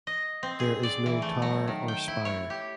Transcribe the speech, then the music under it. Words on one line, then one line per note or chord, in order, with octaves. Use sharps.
There is no tower or spire.
D#5
C4
G#4
D5
E3
A3
F#3
D#3
G5
E4
C#5
G4